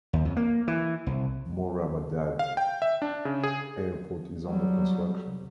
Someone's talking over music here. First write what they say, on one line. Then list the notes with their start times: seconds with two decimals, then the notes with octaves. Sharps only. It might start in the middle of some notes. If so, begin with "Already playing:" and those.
Moradabad Airport is under construction.
0.13 D#2
0.25 F2
0.36 A#3
0.68 E3
1.06 C2
2.39 F5
2.57 G5
2.82 E5
3.02 D4
3.25 C#3
3.43 G#4
4.46 F#3 G3